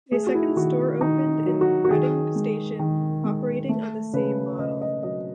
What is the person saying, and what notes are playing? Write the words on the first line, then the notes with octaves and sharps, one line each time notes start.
A second store opened in Reading station operating on the same model.
A3 G#4
F#4
E4
D#3 F#4
D#3 D#4
F#3
F#4
F#4
D#3 G#4
G#3
D#3
G#3
A3
C#3 B4
C#3 D#5
D#5
F#3 D#5